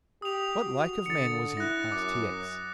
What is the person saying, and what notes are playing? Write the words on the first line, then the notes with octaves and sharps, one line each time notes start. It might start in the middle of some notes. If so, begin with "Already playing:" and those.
"What like of man was he?" asked T. X.
G4 D#6 F7
F#4
D3 A6 C#7
E4 F#6 A#6
F#2 D6